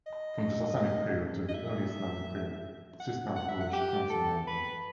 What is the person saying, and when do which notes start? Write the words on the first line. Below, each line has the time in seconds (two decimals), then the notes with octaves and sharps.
From the Sassanid period till the early Islamic period, Sistan flourished considerably.
0.06 D#5
1.48 D#5
1.54 E5
3.00 F#5
3.36 F#5
3.49 E5
3.60 F#5
3.73 G4
4.10 A4
4.47 B4